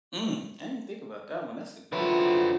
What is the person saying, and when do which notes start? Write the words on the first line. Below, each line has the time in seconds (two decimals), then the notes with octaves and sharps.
Mm, I didn't think about that one. That's a good one.
1.92 D3 F3 F#3 E4 B4